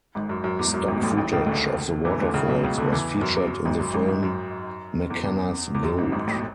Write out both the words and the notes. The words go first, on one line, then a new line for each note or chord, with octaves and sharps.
Stock footage of the waterfalls was featured in the film "Mackenna's Gold".
G#1 G#2
F#2
F#2
E2
G#2
F#2
G#1 G#2
B2
A1 A2
A1 A2
C#2 C#3
D2 D3
E2 E3
D2 D3
C#2 C#3
B1 B2
C#2 C#3
D2 D3
E2 E3
E2
F#2
E2
F#2
G#1 G#2
F#2
G#1 G#2
G#1 G#2
F#2
E2
E2
E2
F#2
G#1 G#2
G#1 G#2
A1 A2
B2